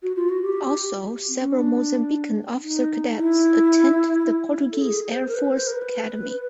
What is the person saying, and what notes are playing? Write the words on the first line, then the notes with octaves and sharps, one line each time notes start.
Also, several Mozambican officer cadets attend the Portuguese Air Force Academy.
F#4
F4
F#4
G4
C4
C#4
D4
D#4
E4
A4
G#4
C5
A#4
B4
C5
A#4
B4